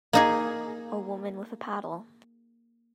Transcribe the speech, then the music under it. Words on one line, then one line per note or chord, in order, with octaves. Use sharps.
A woman with a paddle.
A#3 D#4 G#4